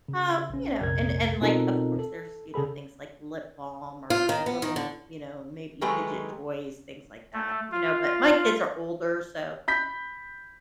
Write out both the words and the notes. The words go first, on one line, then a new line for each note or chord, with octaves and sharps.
uh, you know, and and like, of course, there's, you know, things like lip balm or little m you know, maybe fidget toys, things like that. You know, but my kids are older, so,
C#3
A#1 C#4
A#1 F2 C3 A#4 G#6
B2 C4 D#4 F4 A4 A#4
A4
C#3 G#4 A4 B5
F4
D#3
B3
D#3
D3
D#3 F#3 G#3 A3 G4 B4
A3
F4
B5 G6 B6